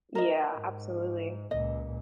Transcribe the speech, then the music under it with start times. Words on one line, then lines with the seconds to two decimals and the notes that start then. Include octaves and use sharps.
Yeah, absolutely.
0.15 A#4 D#5
0.53 G#2
1.51 C#2 A#2 D#5